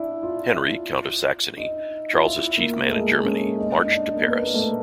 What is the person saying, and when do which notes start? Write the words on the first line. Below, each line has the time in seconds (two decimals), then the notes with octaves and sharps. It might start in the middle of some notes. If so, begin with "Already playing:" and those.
Henry, Count of Saxony, Charles' chief man in Germany, marched to Paris.
Already playing: D4 E4
0.23 F4
0.56 E4
1.57 D#4
2.13 F4
2.24 E4
2.57 A#3
2.87 G#3
2.91 A3
3.24 C#4
3.58 D#4
3.85 D#4
3.92 D4
4.16 A#3
4.25 B3
4.42 A#3
4.54 A3
4.59 A#3